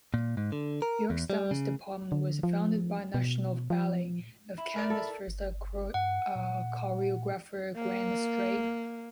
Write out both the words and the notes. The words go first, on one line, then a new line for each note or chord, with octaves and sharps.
York's Dance department was founded by National Ballet of Canada's first choreographer Grant Strate.
A#2
G#2
D3
A#4
E2
G3
C#3
D3
F3
B2
F3
E4
A#4 D5 E5
A4
G1
G2 F#5
A#2
A#3